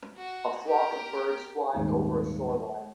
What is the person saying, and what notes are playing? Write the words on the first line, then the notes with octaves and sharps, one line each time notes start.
A flock of birds flying over a shoreline.
F#4
G4 A#4
D#1 G#1 D#3 G#4